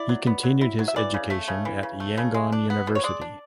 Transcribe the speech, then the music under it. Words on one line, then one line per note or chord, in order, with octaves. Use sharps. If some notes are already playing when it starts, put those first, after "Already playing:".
He continued his education at Yangon University.
Already playing: E4 D5
F#3
B3
F#3
E4
F#3
E5
E3 D5
C#3
A3 E5
C#3
E3
C#3
A3
C#3
G#3
D4
B3
B2
C#5
G#3 D5
D4